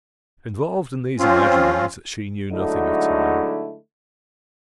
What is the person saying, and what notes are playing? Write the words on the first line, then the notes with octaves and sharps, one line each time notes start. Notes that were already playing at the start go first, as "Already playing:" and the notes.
Involved in these imaginings she knew nothing of time.
F3 C4 C#4 F4
D3 F#3 G#3 A3 D#4 E4